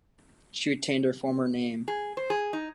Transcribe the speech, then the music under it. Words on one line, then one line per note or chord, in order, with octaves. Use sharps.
She retained her former name.
G#4
C5
G#4
D#4